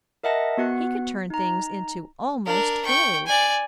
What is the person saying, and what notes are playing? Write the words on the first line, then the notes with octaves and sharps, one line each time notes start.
He could turn things into almost gold.
A#4 D#5 E5 F#5 A5 A#6
B3 F#4 F#5 F#6
D#4 A#5
D4 A#4
G5 C#6
D5 G#5